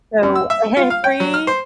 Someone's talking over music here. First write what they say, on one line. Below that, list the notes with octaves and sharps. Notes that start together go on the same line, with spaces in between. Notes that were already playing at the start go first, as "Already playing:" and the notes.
So, every
F#2
E6
E5
F4
F5
G5
F#3
F6
C5